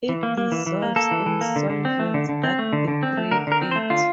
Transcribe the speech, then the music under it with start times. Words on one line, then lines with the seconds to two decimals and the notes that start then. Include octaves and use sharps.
It "dissolves" in solvents that degrade it.
0.09 E3
0.23 A#3
0.38 A#3
0.52 E3
0.66 E3
0.82 A#3
0.96 A#3 A4
1.11 E3
1.26 E3
1.41 A#3
1.56 D3
1.70 D3
1.85 C4
1.99 A3
2.14 D3
2.29 D3
2.44 C4
2.59 A3
2.73 D3
2.88 D3
3.03 C4
3.17 A3
3.31 D3 A#4
3.47 D3 A#4
3.61 C4
3.71 C5
3.76 A3
3.90 D3 F4